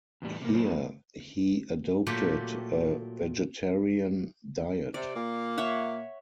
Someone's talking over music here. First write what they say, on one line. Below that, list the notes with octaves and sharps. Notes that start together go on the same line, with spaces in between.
Here, he adopted a vegetarian diet.
E2 A2 G3
C3 A#3
F#2 F#3 C4
A#2 F#3 A3 F4 G4
C3 D5
A#2 A#3
C#5 E5 F#5